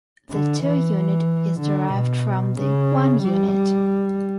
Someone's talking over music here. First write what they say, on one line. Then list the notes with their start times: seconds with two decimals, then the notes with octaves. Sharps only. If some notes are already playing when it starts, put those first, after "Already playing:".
The 'two unit' is derived from the 'one unit'.
0.31 D3
0.63 E3
1.61 D3
1.93 B2
2.59 C#3
3.23 G3